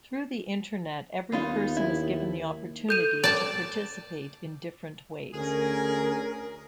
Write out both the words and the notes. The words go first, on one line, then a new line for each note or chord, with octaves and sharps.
Through the Internet, every person is given the opportunity to participate in different ways.
D#2 B3 D#4 F4
E4
A4 G6 D#7
D5 A5
D2 C#4 G#4 A#4